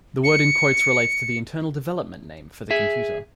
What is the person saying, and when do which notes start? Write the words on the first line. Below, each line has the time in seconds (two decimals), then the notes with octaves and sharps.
The word in quotes relates to the internal development name for the computer.
0.24 C#7
2.71 G#4 E5